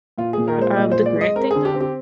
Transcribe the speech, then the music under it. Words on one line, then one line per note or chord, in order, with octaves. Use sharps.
God, uh, with the Grant thing though,
A#2 F4
A#2 G#4
A#4
G#3 C5
A#2 D#5
G#3 C5
D5
G#3
D#5
C4 A#4
D3 G#4
G4
C4
G4